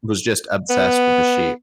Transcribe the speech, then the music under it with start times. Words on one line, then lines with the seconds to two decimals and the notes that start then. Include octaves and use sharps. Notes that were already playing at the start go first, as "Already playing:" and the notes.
was just obsessed with the sheep.
0.70 B3